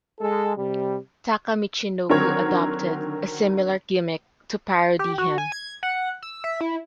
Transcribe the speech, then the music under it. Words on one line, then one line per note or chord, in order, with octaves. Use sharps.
Taka Michinoku adopted a similar gimmick to parody him.
G#3 A4
C3 G3
D3 D#3 F#3 C4 A#4 C#5
G4
F#4
G#5
G#6
F#5
E6
E5
E4